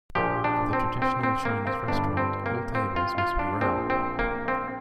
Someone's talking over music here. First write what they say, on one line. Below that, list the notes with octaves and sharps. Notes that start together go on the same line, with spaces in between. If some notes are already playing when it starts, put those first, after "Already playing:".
For the traditional Chinese Restaurant, all tables must be round.
A#1 A#2 F3 G4
D4
C4
C4
C4
A#3
C4
G1 G2 G3 D4
C4
A#3
C4
F4
F4
D4
A#1 A#2 F3 C4
C4
A#3
C4